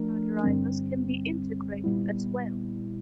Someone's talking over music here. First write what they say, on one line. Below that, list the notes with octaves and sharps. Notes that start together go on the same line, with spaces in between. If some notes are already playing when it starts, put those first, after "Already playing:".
Extra drivers can be integrated as well.
Already playing: F3 A3 D4 A#4
G2 D3 G3 C4
A#2 G3 B3 E4